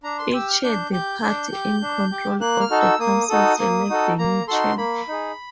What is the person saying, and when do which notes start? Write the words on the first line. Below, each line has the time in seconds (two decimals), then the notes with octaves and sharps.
Each year the party in control of the council selects the new chair.
0.03 D4 A#5
0.19 C6
0.33 G4 E6
0.48 F6
0.63 D4 G6
0.92 G4 G6
1.23 D4
1.52 G4
1.82 D4
2.12 G4
2.41 A#3 F#6
2.60 F6
2.70 D#4 F#4 A4
2.81 E6
3.00 A#3 D#6
3.29 D#4 F#4 A4
3.59 A#3
3.89 D#4 F#4 A4
4.18 A#3 A#5
4.48 D#4 F#4 A4 C6
4.77 A#3 B5
5.08 D#4 G#4